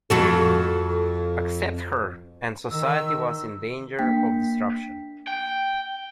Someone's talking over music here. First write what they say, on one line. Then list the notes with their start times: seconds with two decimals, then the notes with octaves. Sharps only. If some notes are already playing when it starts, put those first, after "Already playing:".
Accept her, and society was in danger of disruption.
0.10 F2 F#4 A4
2.71 D#3 E6
3.99 A#3 D4 G5 B6
5.27 G5